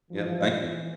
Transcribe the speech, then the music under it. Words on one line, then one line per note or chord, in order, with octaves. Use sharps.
Yeah, thank you.
E3 F3
E3